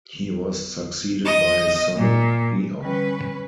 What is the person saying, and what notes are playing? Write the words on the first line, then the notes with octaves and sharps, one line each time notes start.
He was succeeded by his son Beop.
D#5
A#2
D3 E3 G3 C#4 B4